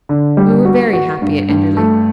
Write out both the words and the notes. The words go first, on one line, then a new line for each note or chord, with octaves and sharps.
We were very happy at Enderley.
D3
G3
F#4
F#4
G2
G2
A3